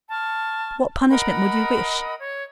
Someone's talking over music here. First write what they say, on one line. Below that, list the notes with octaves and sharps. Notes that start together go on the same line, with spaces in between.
"What punishment would you wish?"
A5 C#6 F6
A#4 D#5 F#5 B5
C#5